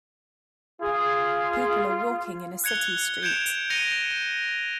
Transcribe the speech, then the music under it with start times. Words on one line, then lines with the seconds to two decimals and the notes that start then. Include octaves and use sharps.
People are walking in a city street.
0.82 F4 G#4
2.64 F#6 G#6 C#7 F7 G7
3.23 G6 G#6 C#7 D7 E7 F7
3.70 G6 A#6 C#7 D#7 F7 G7